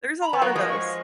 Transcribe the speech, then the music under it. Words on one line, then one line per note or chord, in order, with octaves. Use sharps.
There's a lot of those.
A#5
B5
B3
F#3 A#3 C#6
F3 G#3 D#6
C#6